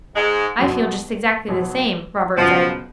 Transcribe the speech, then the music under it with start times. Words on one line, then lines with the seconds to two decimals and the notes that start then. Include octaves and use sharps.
'I feel just exactly the same,' Robert said.
0.15 G#2 G#3
0.59 B1 B2 F#3
1.48 B1 B2 F#3
2.37 C#2 B2 F3 F#3 B3